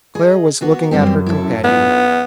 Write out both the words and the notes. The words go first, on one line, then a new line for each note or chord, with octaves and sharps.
Claire was looking at her companion.
G#4 D#5
A#3 B3 F#4
F#2 G3 C4 G4
E4 A4
B3 D4 F4